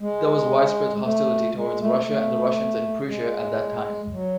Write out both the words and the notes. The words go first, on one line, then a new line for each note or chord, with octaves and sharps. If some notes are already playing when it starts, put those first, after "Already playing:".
There was widespread hostility towards Russia and the Russians in Prussia at that time.
G#3
A3
G#3
A3
A3
G#3
F#3